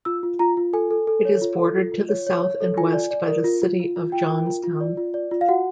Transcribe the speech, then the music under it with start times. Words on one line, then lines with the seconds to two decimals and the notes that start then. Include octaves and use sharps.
It is bordered to the south and west by the city of Johnstown.
0.05 F4 E6
0.23 F4
0.39 F4 A#5
0.57 F4
0.73 A4 G#5
0.91 A4
1.07 A4
1.25 C#5
1.41 F4
1.59 A4
1.75 F4
1.92 F4
2.09 C#5
2.27 C#5
2.43 C#5
2.60 A4
2.77 F4 G#5
2.94 D5
3.11 D5
3.28 A#4
3.44 F4
3.62 F4
3.79 F4
3.96 F4
4.12 F4 G5
4.30 A#4
4.46 F4
4.63 F4
4.81 D5
4.97 F4
5.14 D5
5.31 F4
5.41 F5
5.48 F#4 F#5